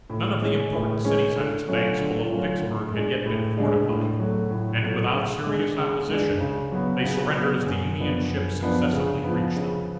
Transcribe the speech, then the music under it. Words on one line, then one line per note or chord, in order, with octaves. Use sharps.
None of the important cities on its banks below Vicksburg had yet been fortified, and, without serious opposition, they surrendered as the Union ships successively reached them.
A2
G#3 C#4
A2
G#3 C#4
D3
F#3 A3 C#4 F4
D3
F#3 A3 C#4 F4
A2
G#3 D4
A2
G#3 D4
A2
F#3 A3
A2
F#3 A3
C#3
G#3 D4
C#3
G#3 D4
C#3
F#3 B3
C#3
F#3 B3
F#2
F3 B3 D4
F#2
F3 B3 D4
C#3
F3 B3
C#3